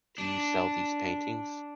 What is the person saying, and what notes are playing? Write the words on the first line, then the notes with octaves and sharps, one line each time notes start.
Do you sell these paintings?
D4